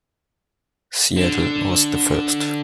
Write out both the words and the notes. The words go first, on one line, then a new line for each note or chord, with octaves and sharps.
Seattle was the first.
D3